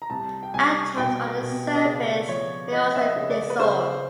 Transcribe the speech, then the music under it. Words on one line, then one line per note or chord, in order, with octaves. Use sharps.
Atoms on the surface may also desorb.
A#5
C2 A5
G5
C2 G#5
B2 G5
B2
D#5
C#3 D5
F3 C#5
F3 D#5
E5
D#5
C#3
D5
B4
C#3 C5